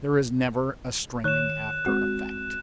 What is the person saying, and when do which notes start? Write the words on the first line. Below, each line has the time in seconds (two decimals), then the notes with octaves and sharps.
There is never a straining after effect.
1.24 D#3 C#5 F#6 E7
1.86 G#3 C4 F#4